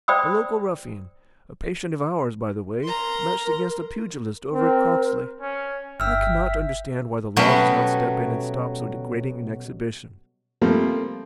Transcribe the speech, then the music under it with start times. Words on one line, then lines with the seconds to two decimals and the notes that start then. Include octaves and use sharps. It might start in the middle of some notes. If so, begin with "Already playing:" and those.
A local ruffian, a patient of ours, by the way, matched against a pugilist over at Croxley. I cannot understand why the law does not step in and stop so degrading an exhibition.
0.08 C5 D5 G5 B5 D#6 E6
2.84 A#4 A#5 C6
4.54 C4 A#4
5.40 C#4
6.00 G1 E5 G5 E6 F6
7.36 B2 F#3 G3 A3 B3 C#4
10.61 F3 G3 A3 A#3 C4